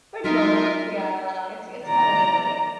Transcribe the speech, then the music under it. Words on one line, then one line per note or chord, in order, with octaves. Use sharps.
Pretty much, yeah, it's it's kinda been like
F#3 D4 D#4 F4 A#4 E5
D5 A#5